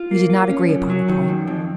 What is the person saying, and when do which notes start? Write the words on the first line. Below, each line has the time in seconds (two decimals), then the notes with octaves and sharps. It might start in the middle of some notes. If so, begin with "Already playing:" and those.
We did not agree upon the point.
Already playing: F4
0.11 A#3
0.30 F4
0.49 C#4
0.69 F#2
0.90 F#3
1.08 D#3
1.28 F#2
1.47 F2